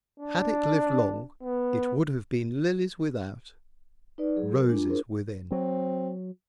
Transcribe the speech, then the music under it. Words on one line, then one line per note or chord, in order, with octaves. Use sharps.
"Had it lived long, it would have been Lilies without, roses within."
D4
B3
D#4 B4 D5
F#3 G#4
A#4
G#3 D4 F4
D4 E4 G#4 A#4 C5
F#3 C4